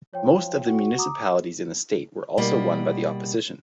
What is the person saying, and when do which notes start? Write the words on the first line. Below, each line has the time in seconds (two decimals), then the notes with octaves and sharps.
Most of the municipalities in the State were also won by the opposition.
0.14 F3 C#5 G5
0.66 F#4
0.98 A#5 D6 D#6
2.37 B2 G3 A#3 E4